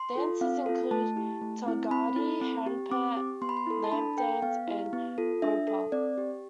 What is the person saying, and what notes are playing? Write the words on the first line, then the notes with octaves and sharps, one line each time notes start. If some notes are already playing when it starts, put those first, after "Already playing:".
Dances include "Talgadi", "Hanpet", Lamp Dance and "Gopha".
Already playing: C6
F4 A4
C4 F5
F4 A4
A3 A5
E4 G4
A3
C4 E4
C4 B5
E4 A4
C4
G4
C4 D6
G4
B3 C6
B5
C6
E4 A4
A5
D4 B5
A4 G5
B3 F5
E4 G4
B3
F4 A4
D4 E5
A4
C4 D5
G4